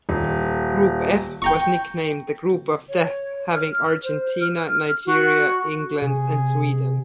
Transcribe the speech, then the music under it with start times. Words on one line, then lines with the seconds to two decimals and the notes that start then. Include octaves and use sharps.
Group F was nicknamed the "Group of Death", having Argentina, Nigeria, England, and Sweden.
0.09 D#1
1.42 G5 A#5 C#6
2.89 C#5
3.54 F6
4.03 C5
4.41 F6
5.05 F#4
6.02 C3 G#4